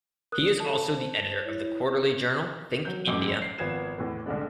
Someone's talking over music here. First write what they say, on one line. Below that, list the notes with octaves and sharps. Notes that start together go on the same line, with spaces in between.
He is also the editor of the quarterly journal "Think India".
A#4 D#6 F#6
A4 A5
C5
E4 C#5
F#3 G6
A1 F#2 D6
C7
G#1 F3 B3 G#6 E7
E2 A2 E3
C2 D3 G#3 D4